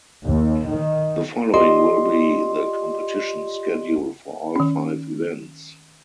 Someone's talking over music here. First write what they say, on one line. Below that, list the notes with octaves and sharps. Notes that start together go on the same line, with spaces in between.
The following will be the competition schedule for all five events.
D#2
D#3
F4 G4 D5 D#5 C6
D#3 C#4